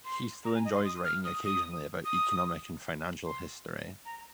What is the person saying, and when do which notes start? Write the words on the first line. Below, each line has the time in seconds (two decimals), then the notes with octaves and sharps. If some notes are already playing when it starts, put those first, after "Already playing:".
He still enjoys writing occasionally about economic and financial history.
0.05 C6
0.45 A#5
0.55 G#5
0.65 D#5
0.75 C6
0.85 D#6
1.04 F6
1.25 D#6
1.45 D#6
2.05 D#6
3.25 C6
4.05 A#5